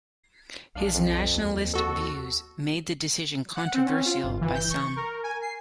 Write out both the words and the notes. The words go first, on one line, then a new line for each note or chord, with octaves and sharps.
His nationalist views made the decision controversial by some.
B1 G#3 D4 F5
B1 F2
D#2
F#4 A4
F#5
C4
C#4
F4
G1
E3
G6
C#6
A#4
G#5
C7